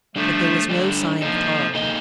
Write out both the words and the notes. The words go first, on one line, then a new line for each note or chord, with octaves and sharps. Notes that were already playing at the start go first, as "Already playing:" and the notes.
But there was no sign of Tarling.
F3 G3 A3 D4 A4
G3 D4 A4
F3 A#3 D#4 A4 D#5
A#3 D#4 A4 D#5